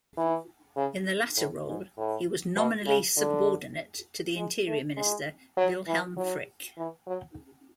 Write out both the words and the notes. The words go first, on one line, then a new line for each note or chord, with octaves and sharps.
In the latter role, he was nominally subordinate to the Interior Minister, Wilhelm Frick.
E3
C#3
A2
G#2
A2
B2
C#3
D3
G#3
A3
G#3
F#3
E3
F#3
E3
F#3